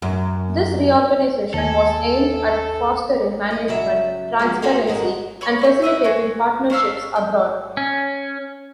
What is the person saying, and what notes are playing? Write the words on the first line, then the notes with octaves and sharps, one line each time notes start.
This reorganization was aimed at fostering management transparency and facilitating partnerships abroad.
F#2
D#2 A4 G#5
D#5
C#3 F#3 E5
F3 F#3 G#3
F4 F#4 G#4 A4 C5 F5
G#2 D3 G#3 F#4 A#4
C#5 B5 C#6
A3 C#6 G6
B4 C#5 D#5 E5
F#4 G#4
C#4 D4 F5 E6
G6
C#4